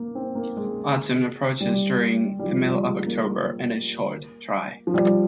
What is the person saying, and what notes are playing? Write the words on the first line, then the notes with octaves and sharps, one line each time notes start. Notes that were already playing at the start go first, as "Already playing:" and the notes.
Autumn approaches during the middle of October and is short, dry.
Already playing: A#3
C4
A#3
G#3
G3
G3
F3
G3
G#3
A#3
F3
G3